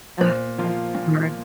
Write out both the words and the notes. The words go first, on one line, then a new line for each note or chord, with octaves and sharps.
Ah, that's hard.
A#2 C5
F3 A#3 F4
A#2